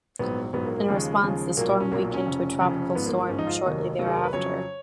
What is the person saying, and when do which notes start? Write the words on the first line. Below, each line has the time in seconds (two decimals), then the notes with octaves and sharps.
In response, the storm weakened to a tropical storm shortly thereafter.
0.19 A#1 G#2 F#3 B3
0.53 A#1 G#2 F#3 B3
0.65 A#3
0.76 A#3
0.88 D#2 C#3 F3 G#3
1.22 D#2 C#3 F3
1.57 B1 A#2 F#3 A#3
1.68 A#3
1.80 C#4
1.91 B1 A#2 F#3 A#3
2.03 A#3
2.14 C#4
2.26 F1 F2 C#3
2.61 F1 F2 C#3
2.95 G#1 G#2 F3 B3
3.06 A#3
3.18 A#3
3.29 G#1 G#2 F3 C#4
3.39 D#4
3.47 F4
3.55 D#5
3.63 F1 D#2 D#3 F#3
3.99 F1 D#2 D#3 F#3
4.06 G#4
4.15 A#4
4.24 B4
4.33 F2 C#3 F#3 C#5